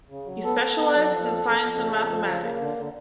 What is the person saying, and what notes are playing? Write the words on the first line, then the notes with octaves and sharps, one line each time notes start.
He specialised in science and mathematics.
C#3
F#3
B3 A4
B3
B3
F#3
F3
F2
F2
F2
C#3
F2
F3
C#3
A#3
D3
D3